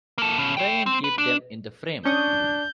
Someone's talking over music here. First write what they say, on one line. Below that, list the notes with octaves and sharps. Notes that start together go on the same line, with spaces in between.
Try and keep them in the frame.
A#3 A4
B2 C#4
C#5 G5
C4
B4
D4
C#4 D4 C#6 D#6 G6